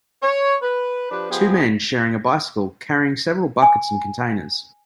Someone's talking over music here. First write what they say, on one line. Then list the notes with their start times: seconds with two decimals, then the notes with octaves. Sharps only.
Two men sharing a bicycle, carrying several buckets and containers.
0.21 C#5
0.62 B4
1.10 F3 D4 G4 B4
1.30 F3 G#3 B3 G4 G#4
3.62 G#5